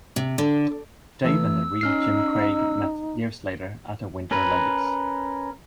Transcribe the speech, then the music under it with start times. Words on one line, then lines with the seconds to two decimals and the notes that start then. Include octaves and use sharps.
Dave and the real Jim Craig met years later at a Winter Olympics.
0.16 C3
0.38 D3
1.25 E3 A3 E6
1.81 C#4 D#4 F6 C7
4.31 C#4 A#4 B4